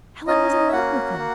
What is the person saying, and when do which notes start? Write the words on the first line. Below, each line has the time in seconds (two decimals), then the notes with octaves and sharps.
Helen was in love with him.
0.27 C#4 D#4 D#5
0.68 E5
0.72 A#3 F#4 F#5
1.18 A#3